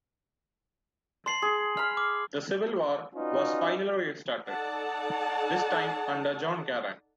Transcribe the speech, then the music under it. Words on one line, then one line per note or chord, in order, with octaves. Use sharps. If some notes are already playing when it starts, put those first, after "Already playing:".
The civil war was finally restarted, this time under John Garang.
A5 C6 C7 F#7
G#4
F5 B5 F6
D6
C#4 D#4 F4 F#4 B4 D5
D#4 A4 D5 F#5 A5